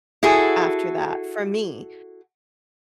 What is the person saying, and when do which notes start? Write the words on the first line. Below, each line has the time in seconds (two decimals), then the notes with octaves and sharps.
after that, for me.
0.23 E4 F#4 G#4 A4